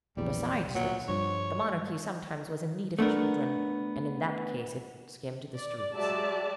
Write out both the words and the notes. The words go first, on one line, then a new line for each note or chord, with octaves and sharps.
Besides this, the monarchy sometimes was in need of children, and in that case it skimmed the streets.
A#1 E2 G3
A#2 F#3
G2 F3 C#5
G#3
A3 B3 D4 A#4
D5
F#3 G#3 G4 D5 E5 A5